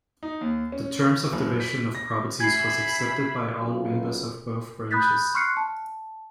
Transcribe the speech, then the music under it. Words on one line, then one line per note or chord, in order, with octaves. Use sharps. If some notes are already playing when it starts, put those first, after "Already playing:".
The terms of division of properties was accepted by all members of both branches.
D#4
D#2
C#4
F#1
B6
A#6
E5 G#5 B5 G#6 C7
B1 F#2 F4
B5 D#6 F#6 G6 A6 B6
C6 C#6 F6 F#6 C7 C#7
A5